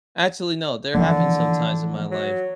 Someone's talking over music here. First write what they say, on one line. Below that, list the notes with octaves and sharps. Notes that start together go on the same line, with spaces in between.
actually, no, there have been some times in my life
D3 E3 F3 A#3
F#3